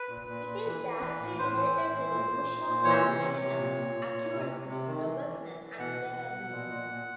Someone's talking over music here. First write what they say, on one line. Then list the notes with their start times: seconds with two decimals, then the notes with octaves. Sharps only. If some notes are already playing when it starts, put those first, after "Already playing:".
It is directly related to the notion of algorithm accuracy, robustness, and reliability.
Already playing: B4
0.09 A#2
0.27 A#2
0.46 A#2
0.65 E3
0.82 E3
1.01 E3
1.20 A2
1.38 A2 C5
1.56 E3
1.75 A2
1.93 E3
2.12 A#2
2.30 A#2
2.49 A#2
2.67 A#2
2.84 E3 C#5
3.04 C3
3.21 C3
3.40 C3
3.59 A#2
3.77 A#2
3.95 A#2
4.13 A#2
4.32 C3
4.50 C3
4.69 C3
4.87 D#3
5.05 E3
5.24 E3
5.42 E3
5.61 E3
5.79 B2 F#5
5.98 B2
6.15 B2
6.33 B2
6.52 A#2
6.70 A#2
6.89 A#2